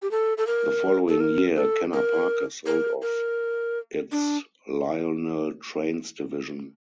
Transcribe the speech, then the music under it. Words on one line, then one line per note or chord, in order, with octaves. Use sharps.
The following year Kenner Parker sold off its Lionel Trains division.
G4
A4
A4
A#4
A4
A#4
A4
A#4
A#4
A#4
D4